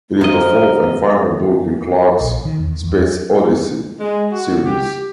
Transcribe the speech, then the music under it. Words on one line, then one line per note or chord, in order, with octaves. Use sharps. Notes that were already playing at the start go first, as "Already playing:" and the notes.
It is the fourth and final book in Clarke's "Space Odyssey" series.
D2 F3 D#4 A#4 C5 D#5
A#1
D#3
E2
E2
G#3
F#4
G4